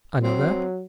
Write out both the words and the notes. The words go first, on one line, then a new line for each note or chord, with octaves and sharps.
"I know that."
F#3 C4